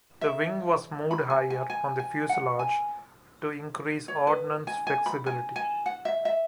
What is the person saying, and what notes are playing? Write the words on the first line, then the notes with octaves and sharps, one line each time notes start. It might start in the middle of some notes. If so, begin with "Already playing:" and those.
The wing was moved higher on the fuselage to increase ordnance flexibility.
E5
B5
G#5
G#5
G#5
G#5
F#5
G#5
C#5
B4
G#5
G#5
B5
G#5
G#5
F#5
E5
E5